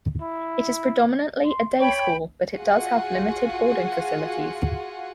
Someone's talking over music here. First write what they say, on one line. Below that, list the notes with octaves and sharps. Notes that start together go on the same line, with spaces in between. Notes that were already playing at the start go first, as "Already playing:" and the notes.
It is predominantly a day-school, but it does have limited boarding facilities.
E4
C6
C#5 G5 B5
F4 F#4 G#4 F#5 G#5